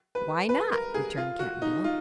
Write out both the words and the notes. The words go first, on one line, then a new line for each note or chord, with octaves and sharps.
"Why not?" returned Cap'n Bill.
B4
B4
A#4
G#4
F4
F#4
D#4
F4